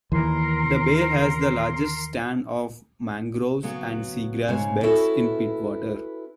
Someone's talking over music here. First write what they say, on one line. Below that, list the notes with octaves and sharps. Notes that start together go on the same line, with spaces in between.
The bay has the largest stand of mangroves and sea grass beds in Pittwater.
D#2 E3 A#4 A#5 C6
C#3 F#3 B3
G#2 C#3 G#5
C#4 E4 F#4 A4 B4